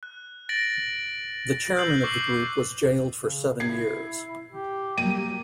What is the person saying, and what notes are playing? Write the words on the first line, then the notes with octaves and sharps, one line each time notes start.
The chairman of the group was jailed for seven years.
F#6
A6 A#6 D7 F#7
E6 F#6 G6 A#6 C7 F#7
C#6 D6 E6 C7
C#3
E4 G#6 C7
G4
F#3 G3 A#3 D#7